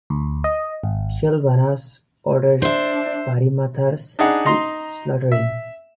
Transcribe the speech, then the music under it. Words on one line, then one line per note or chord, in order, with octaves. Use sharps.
Sylvanas orders Varimathras to slaughter him.
D2
D#5
G#1
D4 C5 E5
D4 D#4 G#4 F#5
D#4 A#5 C6
E5